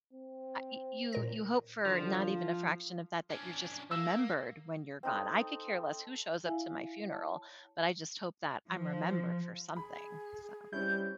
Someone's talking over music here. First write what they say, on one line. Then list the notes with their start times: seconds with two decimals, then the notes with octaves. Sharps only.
uh, y you, you hope for not even a fraction of that, that you're just remembered when you're gone. I could care less who shows up to my funeral, but I just hope that I'm remembered for something, so.
0.13 C4
1.13 A#2 A#4 A#6
1.86 D3 F3
3.30 C#4 D4
3.91 A#3 E6
5.03 C4 D#4 A4
6.46 E4 E5 F5 G#5
7.09 C#5 A5
8.68 F3
9.76 G#4 B5
10.73 G3 C4 C#4 E4 G6